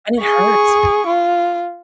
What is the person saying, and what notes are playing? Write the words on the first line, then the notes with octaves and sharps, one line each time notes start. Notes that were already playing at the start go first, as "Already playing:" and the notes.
and it hurts.
G#4 C#6
F4